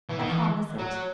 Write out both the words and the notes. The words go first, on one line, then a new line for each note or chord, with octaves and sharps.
"I promise it."
E3
D#3
E3
F#3